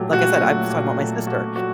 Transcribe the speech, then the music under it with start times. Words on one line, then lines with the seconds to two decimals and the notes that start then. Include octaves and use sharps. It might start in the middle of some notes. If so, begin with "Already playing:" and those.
like I said, I was talking about my sister.
Already playing: A#2 F#3 A3 G4
0.13 A#2 F#4
0.42 F#3 A3
0.70 A#2
0.99 F#3 A3
1.27 A#2 F#4
1.56 F#3 A3 F#4